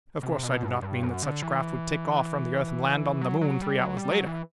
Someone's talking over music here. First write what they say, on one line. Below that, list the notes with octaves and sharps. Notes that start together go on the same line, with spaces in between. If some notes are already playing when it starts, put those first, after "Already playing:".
Of course, I do not mean that such a craft would take off from the earth and land on the moon three hours later.
C3
B2
G2
G2
F#2
D3
E3
F#3
F#3
G3
F#3
G3
F#3
E3